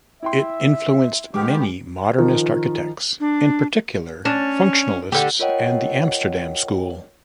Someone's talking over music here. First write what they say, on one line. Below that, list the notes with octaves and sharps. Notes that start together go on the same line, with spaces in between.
It influenced many modernist architects, in particular functionalists and the Amsterdam School.
E4 E5 G5 C6
D2 D#3 G#3 B3 G4 D6 F6
D#3 F3
D4
C#4 D4
D3 G4
F4 A#4 C#5 D#5 F#5 G5